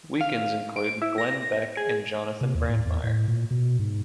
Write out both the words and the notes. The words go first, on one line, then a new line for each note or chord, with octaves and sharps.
Weekends include Glenn Beck and Jonathan Brandmeier.
F5
D7
E4
A#6
G#4
C3
D#2
A2
E2
A2
A#2
B2
G#2